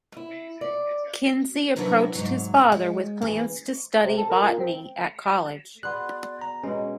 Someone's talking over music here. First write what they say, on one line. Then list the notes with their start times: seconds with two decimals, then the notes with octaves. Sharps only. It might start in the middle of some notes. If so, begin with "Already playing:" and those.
Kinsey approached his father with plans to study botany at college.
0.17 E4
0.61 D5
1.76 C3 F#3 D4 E4 A#4 B4
2.15 G#2 C3 F#3
2.72 G#3
3.22 C#3 E3
4.05 C3
4.18 A4
4.30 A#4
4.42 A#2
4.59 C4
5.83 B3 F#4 G#4 D5 C6 F#6
6.41 A#5
6.64 B2 G#3 C#4 B4